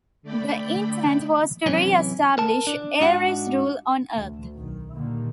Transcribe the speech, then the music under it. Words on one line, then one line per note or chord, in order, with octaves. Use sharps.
The intent was to re-establish Ares' rule on earth.
D3 A3 D5 G5 B5
F#2 C3 E3 C#4
A#4 A5
D4
G#2 D4 F#4 F#5
D2
B1 D#3
A#2 D3 D#3 G3 A#3